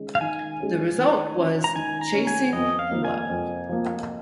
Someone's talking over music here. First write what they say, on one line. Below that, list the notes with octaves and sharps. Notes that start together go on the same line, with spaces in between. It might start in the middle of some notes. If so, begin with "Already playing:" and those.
The result was "Chasing Love".
Already playing: D#3 G#3 C#4
F5
D#3 G#5
G#3 C#4
D#3
C#4
A#5
D#3 G#5
A#5
C#4
G#5
F2 D#5
F5
F3 A#3
G#5
F2
F3 A#3